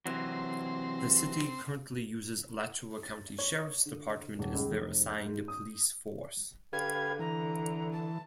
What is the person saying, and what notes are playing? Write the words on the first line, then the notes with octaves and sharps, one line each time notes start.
The city currently uses Alachua County Sheriff's Department as their assigned police force.
C3 E3 F#3 C4
A6
C#5
D3
D#1
C#2
F1
G6
G#2
D#6
D3 G4 B4 F5 G#6
E3 A#5
A5